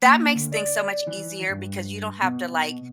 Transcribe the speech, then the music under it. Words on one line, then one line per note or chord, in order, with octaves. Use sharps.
that makes things so much easier because you don't have to, like,
A#3
D2
D5
E3
G2
B2